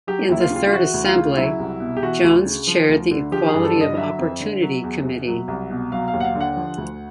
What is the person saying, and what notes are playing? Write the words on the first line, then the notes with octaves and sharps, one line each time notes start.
In the third Assembly, Jones chaired the Equality of Opportunity Committee.
F#3 G4
D#2 E4
F4
C#3
F4
F4
E3 F#4
D2
F4
C#3
F#3 E4
C2
B2
G4
E3 F#4
D2
C#3
F3
D2
D3
F3 G4
G#4
G2
A4
D3
D#5
F#3 E5
F2
D3
F#3
E2
B2
F#3
C2
B2
F#3 F5
F5
D#2
F#5
F5
D3
F#5
F3
D2